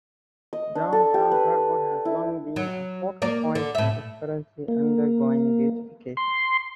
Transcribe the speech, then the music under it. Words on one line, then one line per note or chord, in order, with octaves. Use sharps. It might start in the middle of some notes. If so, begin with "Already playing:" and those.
Downtown Tarpon has long been a focal point and is currently undergoing beautification.
D#5
D4
A4
G4
B4
E4
F#3
A#3 D5
D3
A2 E5
A#3
C6